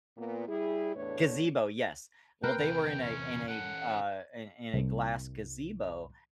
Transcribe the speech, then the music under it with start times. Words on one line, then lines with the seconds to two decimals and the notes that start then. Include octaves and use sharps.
Gazebo, yes. Well, they were in a in a, uh, in in a glass gazebo,
0.17 A#2 B3
0.48 G3 E4 G#4
0.95 E2 A2 A3 D4 B4 C#5
2.44 C4 A#4 B4 G5
2.58 E2 C3
3.02 C#4
3.48 C#4 A4 F#5
4.74 C2